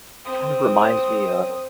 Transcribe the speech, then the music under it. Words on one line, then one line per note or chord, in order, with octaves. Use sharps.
It kind of reminds me of
C4 D#6